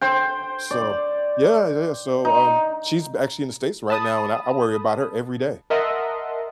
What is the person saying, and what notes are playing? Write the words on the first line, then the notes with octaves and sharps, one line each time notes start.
So yeah, yeah, so, um, she's actually in the States right now, and I I worry about her every day.
C5 G5
D5
D#4
A5 B5 D#6
A#4 D#5 E5 F#5 A5 C6